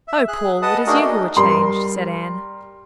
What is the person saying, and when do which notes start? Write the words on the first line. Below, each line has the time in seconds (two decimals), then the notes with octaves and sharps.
"Oh, Paul, it is you who are changed," said Anne.
0.08 E5
0.28 G#4 F#6
0.62 B4 D#5 F#5 A5 D#6
0.87 A3 D4 D#4 F#4 G#4 A#4
1.02 D#5
1.37 G3 A#4 C6